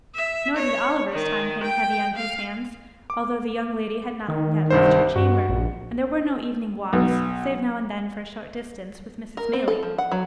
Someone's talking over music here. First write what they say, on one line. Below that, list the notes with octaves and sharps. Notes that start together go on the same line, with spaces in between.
Nor did Oliver's time hang heavy on his hands, although the young lady had not yet left her chamber, and there were no evening walks, save now and then, for a short distance, with Mrs. Maylie.
E5
C#5
D#3
G5
F5
D6
D#3
C2 G2 C5
G2 F#4
A#1
B1
A#4
C4
A4
F3
F#5
F#3